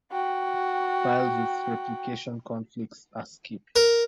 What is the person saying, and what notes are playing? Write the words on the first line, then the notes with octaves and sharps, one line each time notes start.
Files with replication conflicts are skipped.
F#4 G5
A#4